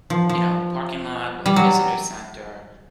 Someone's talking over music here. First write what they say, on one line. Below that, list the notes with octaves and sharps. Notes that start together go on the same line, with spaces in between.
you know, parking lot, little visitor center,
F3
F3
G3
F#3